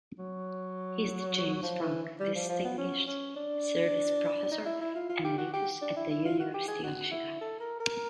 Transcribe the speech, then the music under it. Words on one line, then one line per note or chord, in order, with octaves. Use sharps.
He is the James Franck Distinguished Service Professor Emeritus at The University of Chicago.
F#3
F3
E3
G3
F3
F3
B3
C#4
C#4
D4
D#4
E4
E4
F4
F4
G4
F#4
G4
D4
E4
E4
F4
F#4
G4
G#4
F#4
E4
A4
A#4
A#4